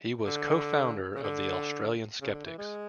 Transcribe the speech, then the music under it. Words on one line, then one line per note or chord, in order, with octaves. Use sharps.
He was co-founder of the Australian Skeptics.
D3
C#3
D3
C#3
D3
E3
G#3